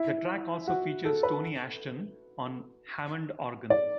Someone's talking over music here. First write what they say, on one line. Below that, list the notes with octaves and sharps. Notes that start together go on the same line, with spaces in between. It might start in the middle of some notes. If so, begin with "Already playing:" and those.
The track also features Tony Ashton on Hammond organ.
Already playing: E4
F#4
A4
B4
D5